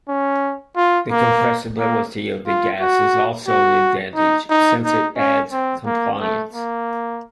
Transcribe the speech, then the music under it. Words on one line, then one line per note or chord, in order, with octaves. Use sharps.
The compressibility of the gas is also an advantage since it adds compliance.
C#4
F4
A#3
A#3
F4
F#4
F#4
D#4
D#4
D#4
C#4
C4
A#3
A3
A#3